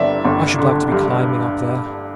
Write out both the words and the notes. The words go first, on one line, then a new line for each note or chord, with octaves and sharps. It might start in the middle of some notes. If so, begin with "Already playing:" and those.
I should like to be climbing up there!
Already playing: G1 G2 D5 E5
G1
D3
G2